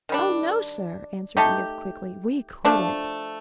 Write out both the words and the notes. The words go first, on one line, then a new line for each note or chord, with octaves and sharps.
"Oh, no, sir," answered Edith quickly, "we couldn't."
D#3 G3 D4
A3 D#4 G4
F3 A3 D4